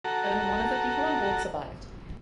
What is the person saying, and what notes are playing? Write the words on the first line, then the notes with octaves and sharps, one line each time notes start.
Only one of the people on board survived.
F#4 A4 A#5